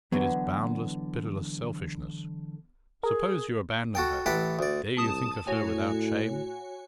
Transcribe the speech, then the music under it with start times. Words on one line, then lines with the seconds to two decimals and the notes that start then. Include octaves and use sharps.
It is boundless, pitiless selfishness. Suppose you abandon her, dare you think of her without shame!
0.12 D3 E3 F#3 B3
3.03 G#4 A#4
3.95 F#4 A4 G5
4.26 A1 E4 A4 F#5 G5 B5
4.59 D2 D5
4.97 C2 A5 D#6 E7
5.47 A2 F#4 C#5 G#5